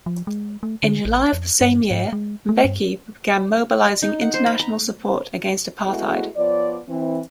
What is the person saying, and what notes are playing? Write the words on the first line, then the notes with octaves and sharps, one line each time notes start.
In July of the same year, Mbeki began mobilising international support against apartheid.
F3
G#3
A3
D3
A1
F2
G2
G#2
G#3
A3
G2
D#4
F#5
C5
B5
A#5
G#3 A3 B3 E4 F#4 G#4
F3 B3 C#5 D5
E3 C4